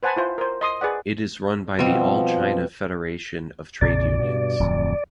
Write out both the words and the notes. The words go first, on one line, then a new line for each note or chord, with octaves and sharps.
It is run by the All-China Federation of Trade Unions.
B4 C5 F#5 G#5 A5 B5
E4 F4 C5
A#4 C5
D#5 C6 D#6
G#4 B4 D5 F#5
B2 F3 G3 C4
A#1 F2 C#3 D5
G2 B2
D1 F2